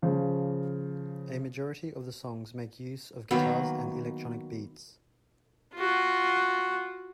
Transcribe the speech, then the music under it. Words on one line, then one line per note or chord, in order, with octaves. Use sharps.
A majority of the songs make use of guitars and electronic beats.
C#3 F3
D#3 F#3 A#3 B3
F4 F#4